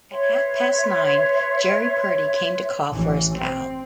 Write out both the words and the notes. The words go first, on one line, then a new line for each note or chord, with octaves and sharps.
At half-past nine Jerry Purdy came to call for his pal.
B4 C#5 E5 C6
A1 E3
C4